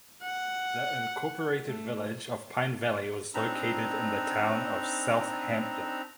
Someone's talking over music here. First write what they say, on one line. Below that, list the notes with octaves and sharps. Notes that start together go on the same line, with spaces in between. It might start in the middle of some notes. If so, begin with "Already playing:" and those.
The Incorporated Village of Pine Valley was located in the Town of Southampton.
F#5
A3
C4 D4 D#4 A#5 B5 E6